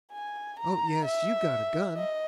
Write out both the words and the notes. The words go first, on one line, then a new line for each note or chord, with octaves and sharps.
Oh, yes, you got a gun.
G#5
A#5
E5
D#5